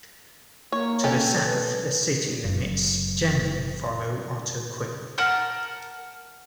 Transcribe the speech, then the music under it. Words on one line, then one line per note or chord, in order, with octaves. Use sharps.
To the south, the city limits generally follow Otter Creek.
A#3 C#5
C#4 A4 G5
B4
F#1 F#2
A#4 F#5 A5 F6